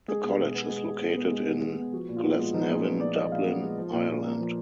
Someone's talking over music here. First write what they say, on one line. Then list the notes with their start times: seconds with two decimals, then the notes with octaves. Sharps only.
The college is located in Glasnevin, Dublin, Ireland.
0.08 G#3 G#4
0.24 B2
0.39 B2
0.54 B3
0.69 G#3
0.85 B2
1.01 B2
1.16 B3
1.31 G#3
1.47 B2
1.62 B2
1.78 B3
1.93 F3 F#4
2.09 A#2
2.17 F4
2.24 B3
2.39 G#3 F4
2.54 F3 D#4
2.70 A#2 G#4
2.85 B3 B4
3.00 G#3 D5
3.16 F3 D#5
3.31 A#2 F5
3.47 B3
3.62 G#3
3.78 F3
3.93 A#2
4.08 A#2
4.24 A#3
4.39 F3